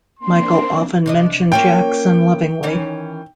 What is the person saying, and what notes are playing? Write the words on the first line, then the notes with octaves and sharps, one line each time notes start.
Michael often mentioned Jackson lovingly.
A#3 C4 D4 C6
C3 D4 D#5
A#3 C#4 F4 G5
D#3 E3 C#4